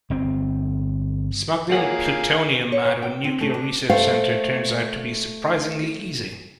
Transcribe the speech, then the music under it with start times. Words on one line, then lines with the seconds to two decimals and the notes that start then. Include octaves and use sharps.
Smuggling plutonium out of a nuclear research centre turns out to be surprisingly easy.
0.10 G1 C4
1.70 A#3 F4 G#4 C#5 F5 F#5
2.72 C#5
2.85 C#5
3.02 G5
3.24 C4
3.41 A3
3.54 D4
3.90 A3 C5 F5